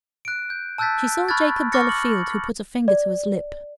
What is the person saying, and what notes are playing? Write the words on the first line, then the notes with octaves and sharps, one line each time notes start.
She saw Jacob Delafield, who put his finger to his lip.
F#6 D7
G6
A5 E6 F#6 G6 A6 B6
B5 C#6 F6 F#6 G#6 A6
C#6 D6 F6 A6 A#6 C#7
F#7
D5